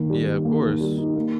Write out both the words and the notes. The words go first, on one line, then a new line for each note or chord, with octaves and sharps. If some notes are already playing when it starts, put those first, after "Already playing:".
Yeah, of course.
Already playing: D#3 A#3
G3
D#4
A#3
D#3
G3
D#4
A#3